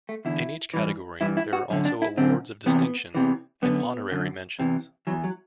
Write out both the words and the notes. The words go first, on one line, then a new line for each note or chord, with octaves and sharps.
In each category, there are also Awards of Distinction and Honorary Mentions.
A3
E2 D3 E4
G2 E3
G2 E3 E4
E4
F#4
F#2 D3
D4
E4
F#2 D3 C4
E2 C3 E3 B3
E2 C3 E3
F#2 D3 B3
F#2 D3
E2 C3 E3
E2 C3 E3 F#3
F#3